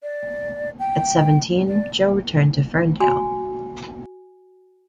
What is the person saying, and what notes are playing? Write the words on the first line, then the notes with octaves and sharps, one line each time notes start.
At seventeen, Joe returned to Ferndale.
D5
G5
D5
F#4 G#5